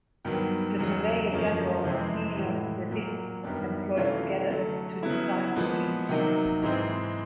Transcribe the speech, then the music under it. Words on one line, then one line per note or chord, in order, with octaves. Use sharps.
The Surveyor-General, Simeon DeWitt employed Geddes to design the streets.
G2 D#3 F#3 B3
E2 C#3 F#3
F#2 D3 F3 A#3 C#4
F2 C3 E3 G#3 C4
A2 E3 G#3
A#2 F#3 A#3
F#2 D#3 G3 B3 D4
C3 E3 A3 C#4 F4
D3 F#3 A3
C#3 F#3 B3 E4
A#2 F3 G#3 B3
C3 D#3 F#3 A#3 D#4
G#2 E3 G#3 C4